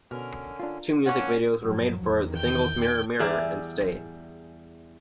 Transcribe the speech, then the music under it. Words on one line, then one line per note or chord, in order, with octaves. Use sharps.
Two music videos were made for the singles "Mirror Mirror" and "Stay".
B2 D3 C#4 A#4
D4 F4
A2 A#3 C#4 C#5 F#5 C#6
G2 F3 F#3
E2 D#3
G5
E2 G3 G#4 D5 E5 A#5